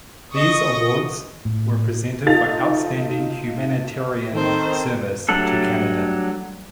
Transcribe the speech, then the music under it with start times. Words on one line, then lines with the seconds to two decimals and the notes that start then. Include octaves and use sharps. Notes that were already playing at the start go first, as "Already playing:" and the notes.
These awards were presented for outstanding humanitarian service to Canada.
0.33 D#5 C#6 D#6
1.45 A2
2.26 D#4 F4 A4 A6 F7
4.34 D#3 C4 A4 C5
5.29 F#3 G3 A3 D4 A4